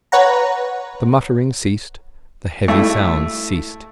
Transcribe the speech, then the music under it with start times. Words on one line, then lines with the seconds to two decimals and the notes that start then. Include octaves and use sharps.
The muttering ceased; the heavy sounds ceased.
0.12 B4 C#5 F#5 A#5
2.68 A3 E4